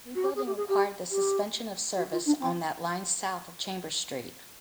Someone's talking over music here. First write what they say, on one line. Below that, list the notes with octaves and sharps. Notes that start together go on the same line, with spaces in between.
Rebuilding required the suspension of service on that line south of Chambers Street.
F#4
G4
G#4
G4
G#4
G4
G4
F#4
F4
D4
C4